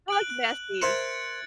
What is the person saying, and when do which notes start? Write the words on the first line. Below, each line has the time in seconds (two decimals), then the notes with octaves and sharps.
So, like, messy
0.08 F#6 D7 F#7
0.30 F#6
0.82 A#4 C5 E5 G#6 A6 C#7